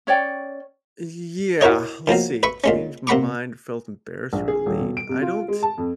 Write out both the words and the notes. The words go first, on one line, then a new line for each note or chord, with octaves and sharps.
Y yeah let's see, change my mind, felt embarrassed, or relieved I don't
C#4 C#5 D5 G5
E4 F#4 A#4 C#5 D#5
D#3 F3 F#3 A#3
B4 E5 B5 C#6
A#2 G#3 C#4
C3 A#3 F#5 B5 C#6 D6
A#1
G#4
D#1
B2
D7
C3
F4
G#3
A5
F2